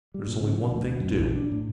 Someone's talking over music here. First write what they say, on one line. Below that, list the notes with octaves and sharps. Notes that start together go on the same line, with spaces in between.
There is only one thing to do.
G3
A#2
C#3
F3
D2
F#2
A#1
D4
A2